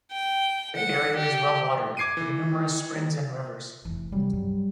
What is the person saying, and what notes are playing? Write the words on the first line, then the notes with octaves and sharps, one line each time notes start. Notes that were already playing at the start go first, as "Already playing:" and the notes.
The area is well watered, with numerous springs and rivers.
G5
F#5
G4
D6 G#6 C7 D7 D#7
E3
F1 E3
C3 F#3 G3 C4
G2